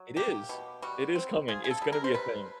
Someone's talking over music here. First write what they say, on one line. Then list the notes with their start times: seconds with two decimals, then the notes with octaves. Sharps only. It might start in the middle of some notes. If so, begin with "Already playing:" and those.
It is. It is coming, it's gonna be a thing.
Already playing: F#3
0.17 A#3 G4
0.49 B2
0.82 G3 F#4
1.15 C4
1.48 F4 G#4
1.64 G#4
1.71 A4
1.82 G3
1.92 A#4
2.04 C5
2.14 G3 B4